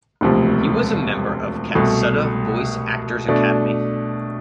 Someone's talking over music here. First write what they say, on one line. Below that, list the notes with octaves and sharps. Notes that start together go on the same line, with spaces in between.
He was a member of Katsuta Voice Actor's Academy.
E1 D2 C3 F3
C2 B2 A3
B2 A3 D4